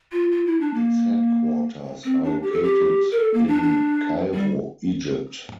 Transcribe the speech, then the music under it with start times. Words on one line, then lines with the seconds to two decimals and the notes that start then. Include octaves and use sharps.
Its headquarters are located in Cairo, Egypt.
0.12 F4
0.32 F4
0.46 E4
0.61 D4
0.74 A#3
2.04 C4
2.24 D4
2.43 G4
2.52 A4
2.63 G4
3.11 A#4
3.20 A4
3.34 A#3
3.48 D4
3.63 D4
4.34 G3